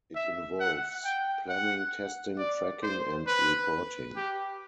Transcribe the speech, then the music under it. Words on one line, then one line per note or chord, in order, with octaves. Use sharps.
It involves planning, testing, tracking and reporting.
E5
F#5
G5
F#5
D5
C5
B4
G4